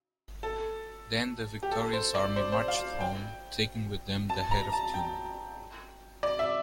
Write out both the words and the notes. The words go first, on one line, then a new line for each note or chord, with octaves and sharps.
Then the victorious army marched home taking with them the head of Teumman.
A4
G4
A4
C5
D5
C5
C5
F5
G5
A5
A#5
A5
G5
D5
E5